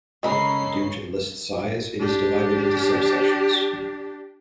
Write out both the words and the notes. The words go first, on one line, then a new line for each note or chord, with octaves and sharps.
Due to the list's size, it is divided into subsections.
C#3 G#3 C#4 A4 A#4 A#5 B5 C7
D4 G4